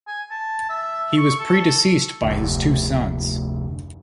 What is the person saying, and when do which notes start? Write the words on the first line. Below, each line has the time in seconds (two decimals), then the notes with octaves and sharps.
He was predeceased by his two sons.
0.07 G#5
0.31 A5
0.69 E5
1.17 C#6
1.39 A4
2.23 F1 D2